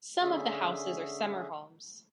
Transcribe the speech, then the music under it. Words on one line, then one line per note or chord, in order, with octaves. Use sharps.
Some of the houses are summer homes.
D3 C#4 G#4 E5